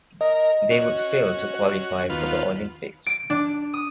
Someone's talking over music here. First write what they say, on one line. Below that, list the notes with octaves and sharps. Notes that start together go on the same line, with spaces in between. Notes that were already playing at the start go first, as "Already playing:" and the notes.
They would fail to qualify for the Olympics.
A#4 D#5
C#4 F#4
D#2 B3 F4
D7
D4
D#6